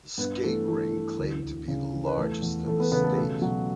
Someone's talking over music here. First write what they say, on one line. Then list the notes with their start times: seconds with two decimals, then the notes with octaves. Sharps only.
The skate rink claimed to be the largest in the state.
0.18 G2 B3 B4
0.44 E3 A3 A4
0.68 E3 A3 A4
0.93 E3
1.18 D2
1.42 D2
1.68 C#3
1.93 E3
2.07 B4
2.17 E2 A3 A4
2.42 E2
2.67 E2 A3 A4
2.80 B3 B4
2.92 C#3 B3 B4
3.04 A3 A4
3.11 G4
3.16 B2 A3 A4
3.42 B2 F#3 F#4